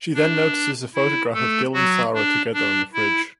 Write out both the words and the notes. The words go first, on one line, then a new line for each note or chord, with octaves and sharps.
She then notices a photograph of Gil and Sara together on the fridge.
D4
E4
A3 A4
F#3 F#4
D4
D4
E4